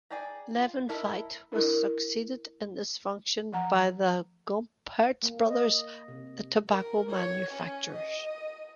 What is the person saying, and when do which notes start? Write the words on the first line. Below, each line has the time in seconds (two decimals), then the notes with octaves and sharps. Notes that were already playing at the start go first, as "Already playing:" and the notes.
Levin Veit was succeeded in this function by the Gompertz brothers, the tobacco manufacturers.
0.10 G#4 D5 G5 A#5
0.56 F4
0.89 E4 A4 A#4 D#5 E5
1.52 D4 E4 A#4
3.53 F3 F#5 A#5
5.23 A#3
5.48 D#5
6.08 C3
6.69 A#4
7.09 C#5
7.51 C#4
7.93 D#5